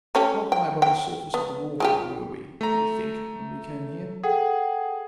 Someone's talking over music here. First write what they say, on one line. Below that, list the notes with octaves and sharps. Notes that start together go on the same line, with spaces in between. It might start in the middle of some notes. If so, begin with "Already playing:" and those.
"How high above the surface of the water were we, do you think, when we came here?"
A3 C#4 G4
G5
G5
B3
G#3 F4 G4
A3 A#5
G#4 A4 F#5 G5